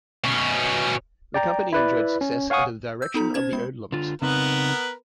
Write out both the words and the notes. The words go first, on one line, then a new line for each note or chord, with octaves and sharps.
The company enjoyed success under the direction of the Odlums.
B2 C#4
D5 G5 A#5
E4 B4 D5
C#4
C#5 F5 F#5 G#5 C#6 D#6
E6 G6
B3 D#4 A4 A#5
C#4 C5 G#6
G#3 B3 B5
D3 F4
C#3 B3 C4 D#4 A#4 B4